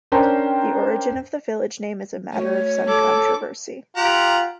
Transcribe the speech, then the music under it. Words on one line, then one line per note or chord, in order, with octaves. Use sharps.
The origin of the village name is a matter of some controversy.
C#4 D4 A#4 C5 G5 A#5
A3 F#4 C#5
A4 D6
F4 G4 F#5 A#5